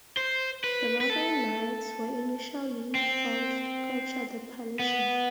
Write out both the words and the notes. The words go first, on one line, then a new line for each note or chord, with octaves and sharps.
The Marvel Knights were initially formed to capture the Punisher.
C5
B4
B4
A4
C4
B3